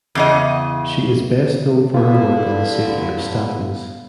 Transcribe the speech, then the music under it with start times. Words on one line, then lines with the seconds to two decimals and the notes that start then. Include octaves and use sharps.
She is best known for her work on the safety of statins.
0.15 E2 C#3 D#5
1.94 G2 D3 B3 E4 F4